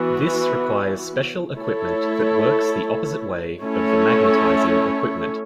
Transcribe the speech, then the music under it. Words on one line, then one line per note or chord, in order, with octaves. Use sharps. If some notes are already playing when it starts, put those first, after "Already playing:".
This requires special equipment that works the opposite way of the magnetizing equipment.
Already playing: E3 B3 F#4
A3 E4 A4 C#5
A3 C#4 E4 A4 C#5